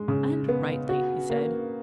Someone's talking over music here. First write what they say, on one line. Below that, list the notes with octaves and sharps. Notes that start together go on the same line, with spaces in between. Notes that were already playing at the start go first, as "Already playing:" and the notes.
"And rightly," he said.
Already playing: G#3
C#3
B3
F#4
A#3